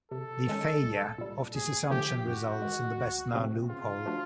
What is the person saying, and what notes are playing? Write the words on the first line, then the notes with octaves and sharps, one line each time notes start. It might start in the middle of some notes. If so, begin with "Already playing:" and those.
The failure of this assumption results in the best known "loophole".
C3 A4
D#3 G#3 C#4
C2
A#2 G3
D#2 G#4
D3 F3 A3 G4
F#2 F#4
D#3 G#3
D2
C3 F3 A3 C4
C#3 F4
F3 A3 D4 F#4